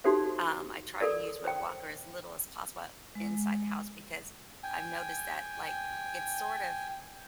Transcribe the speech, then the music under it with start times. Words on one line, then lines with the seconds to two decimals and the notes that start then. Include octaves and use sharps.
um, I try to use my walker as little as possible o inside the house because I've noticed that, like, it sort of
0.04 D#4 F#4 G4 A4 C5 E5
1.01 A4 A#4 D5
1.45 C5 G5
3.15 G#3
4.63 G5 G#5